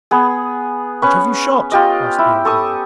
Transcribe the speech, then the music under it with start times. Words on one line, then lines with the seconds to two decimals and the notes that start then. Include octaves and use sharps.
'What have you shot?' asked the old man.
0.11 B3 G#4
1.02 C#4 B4 C#6
1.72 F4 G4 D#5
2.18 E4
2.45 A4 C#6 D#6